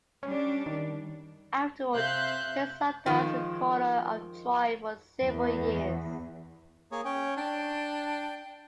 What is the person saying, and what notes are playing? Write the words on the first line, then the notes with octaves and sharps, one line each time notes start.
Afterward he served as Recorder of Troy for several years.
G3 C#4 D4
D#3
C3 C5 E5 F5 F#6 G6
D#3 F3 G#3 F4
E2
A#3 G#4 C#5
C#4 C#5 G5
D4 G5